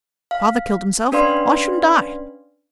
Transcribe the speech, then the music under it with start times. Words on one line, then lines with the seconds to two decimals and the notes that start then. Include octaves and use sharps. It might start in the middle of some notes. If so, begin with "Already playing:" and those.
Father killed himself--why shouldn't I?
0.31 F5
1.12 C#4 D4 B4 D5 F5 C6